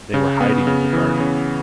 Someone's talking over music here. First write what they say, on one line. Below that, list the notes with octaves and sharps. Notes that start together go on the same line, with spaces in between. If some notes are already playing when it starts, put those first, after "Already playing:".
They were hiding in the garden.
C#3
B3
C#3
E3
C#3